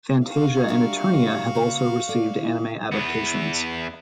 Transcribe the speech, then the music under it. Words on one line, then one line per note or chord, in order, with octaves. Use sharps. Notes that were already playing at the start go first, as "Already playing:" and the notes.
"Phantasia" and "Eternia" have also received anime adaptations.
F#4 F5
G3 D4 A#4 E5
C#3 A#3 B3
A4 D5
E4
E2 B3